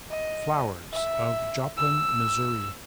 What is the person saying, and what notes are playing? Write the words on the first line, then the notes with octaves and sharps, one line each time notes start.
Flowers, of Joplin, Missouri.
D#5
E5
E6